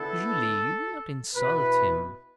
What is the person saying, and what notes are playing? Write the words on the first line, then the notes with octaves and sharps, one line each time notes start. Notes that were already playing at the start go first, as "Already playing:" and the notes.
"Julie--you need not insult him."
Already playing: D3 B3 E4 A4
B2 B3 E4 B4